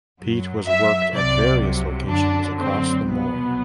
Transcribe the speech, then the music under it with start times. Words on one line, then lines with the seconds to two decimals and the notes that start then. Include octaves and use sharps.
Peat was worked at various locations across the moor.
0.20 F#2 F#3
0.68 E5
1.15 C2 C3 F#3 D5
2.10 F#2 D3 F#3 D4
2.59 C4
3.06 C2 B2 F#3 B3